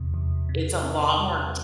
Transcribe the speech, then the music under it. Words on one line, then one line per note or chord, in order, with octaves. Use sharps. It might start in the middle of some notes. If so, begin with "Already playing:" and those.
It's a lot more
Already playing: E2 C3
E2
C3
C4
G3